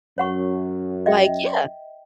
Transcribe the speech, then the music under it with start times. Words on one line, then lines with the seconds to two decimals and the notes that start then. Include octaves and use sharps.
like yeah.
0.18 F#2 C#5 F#5 C#6
1.06 D#5 E5 G5